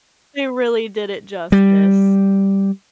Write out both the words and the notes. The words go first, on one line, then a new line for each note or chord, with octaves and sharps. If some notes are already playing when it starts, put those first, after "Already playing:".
They really did it justice.
G3